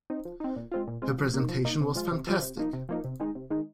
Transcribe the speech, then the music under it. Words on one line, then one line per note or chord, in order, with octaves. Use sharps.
Her presentation was fantastic!
C4 D#4
F3
C4 D#4
A#2
G#3 C4 F4
A#2
G#3 C4 F4
F3
A#3 D#4
F3
A#3 D#4
C3
F3 G#3 F4
C3
F3 G#3 F4
C3
F3 A#3 D#4
C3
F3 A#3 D#4
C3
D#3 G#3 D#4
C3
D#3 G#3 D#4